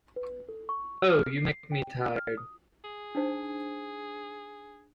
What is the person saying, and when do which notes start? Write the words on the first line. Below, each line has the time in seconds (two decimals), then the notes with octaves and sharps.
Oh, you make me tired.
0.16 B4
0.49 A4
0.69 C#6
1.10 F6
1.37 C7
1.72 G5
2.16 F6
2.37 D#6
2.84 G#4
3.15 D4 D#4 C5